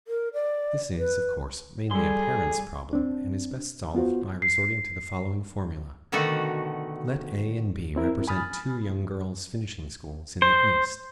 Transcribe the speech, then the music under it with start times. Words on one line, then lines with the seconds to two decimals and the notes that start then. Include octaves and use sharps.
This is, of course, mainly a parent's problem and is best solved by resorting to the following formula: Let A and B represent two young girls' finishing schools in the East.
0.08 A#4
0.34 D5
0.98 B4
1.91 G3 G#4 A4 C6
2.93 C4 D4
3.95 B3 F4 F#4 C5
4.42 C7
6.12 B2 D3 D#3 A3 F#4
7.96 C4 E4 A#4
8.28 G#5 B5 D#6 F6 A6
10.42 C5